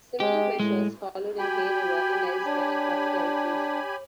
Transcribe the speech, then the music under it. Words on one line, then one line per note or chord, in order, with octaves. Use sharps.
Similar measures followed in Hay River and elsewhere across the Territories.
G#3 G4
A2 G#3
F#4 G4 G5 G#5 B5
D4 C#5